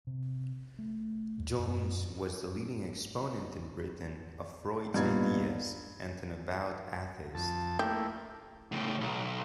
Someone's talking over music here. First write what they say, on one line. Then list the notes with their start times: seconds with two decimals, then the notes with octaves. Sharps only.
Jones was the leading exponent in Britain of Freud's ideas and an avowed atheist.
0.07 C3
0.79 A3
1.39 D#2
1.59 F#2
4.94 G2 A#2 B3 D#4 G#6
7.35 F2 A5
7.79 A3 A#3 E4 G4
8.72 A2 C#3
9.01 B1